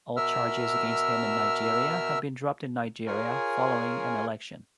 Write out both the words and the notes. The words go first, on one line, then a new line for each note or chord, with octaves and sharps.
All charges against him in Nigeria had been dropped in Nigeria following an election.
B2 A#4 E5 E6 F6
F4 G#4 A#4 C#5 G#5